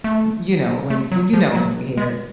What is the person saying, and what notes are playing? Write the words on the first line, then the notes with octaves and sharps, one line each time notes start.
You know, when you well, you know it when you hear it.
A3
A3
F#3
F3
F#3
G#3